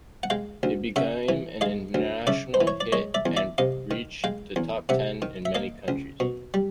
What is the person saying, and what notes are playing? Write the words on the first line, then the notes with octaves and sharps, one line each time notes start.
It became an international hit and reached the top ten in many countries.
F#5
G#3 F5 G5
D2
C#3 E5 F#5
E3
G#3 D#5 F5
D2
C#3 D5 E5
C5
E3
C#5
D5
G#3 C#5 D#5
D5 E5
E2
D5 E5
C3 D#5 F5
D#3
G#3 F5 G5
E2
C3 E5 F#5
D#3
E5
A#3 D#5 F5
C#2
B2
G3